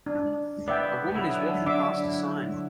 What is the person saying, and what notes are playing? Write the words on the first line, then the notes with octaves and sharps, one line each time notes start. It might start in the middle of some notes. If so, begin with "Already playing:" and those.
A woman is walking past a sign.
D4
B3 D5 E5 G5
D3 F#3 E4
D4 E5 D6